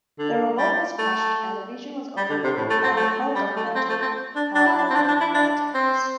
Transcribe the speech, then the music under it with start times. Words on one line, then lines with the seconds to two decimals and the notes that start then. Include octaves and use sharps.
The revolt was crushed and the region was overrun by the pro-governmental paramilitaries.
0.19 D3
0.58 G3
0.98 A3
2.17 G3
2.30 D3
2.44 C3
2.57 A2
2.70 A3
2.84 C4
2.97 A3
3.35 G3
3.56 A3
3.75 C4
3.89 A3
4.02 C4
4.35 D4
4.55 D4
4.66 E4
4.78 D4
4.90 C4
4.95 D4
5.08 D4
5.20 E4
5.34 D4
5.74 C4